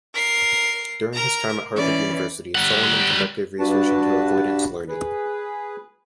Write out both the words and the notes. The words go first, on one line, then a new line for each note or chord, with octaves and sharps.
During his time at Harvard University, Solomon conducted research into avoidance learning.
A#4 C7
A#4 A#5
E3 C#4 D5
G3 F#5
G2 D4 F#4 B4 A5
G#4 B4